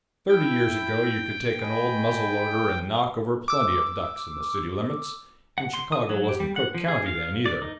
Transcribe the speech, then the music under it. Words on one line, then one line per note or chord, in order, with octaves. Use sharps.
Thirty years ago, you could take an old muzzle-loader and knock over plenty of ducks in the city limits, and Chicago wasn't Cook County then, either.
E4 G5
D#5 G#5 B5
D6 E6
F#5
C6
D#6
F#3
G4
G3
F#5
F3
G#4
F5
D5
D#4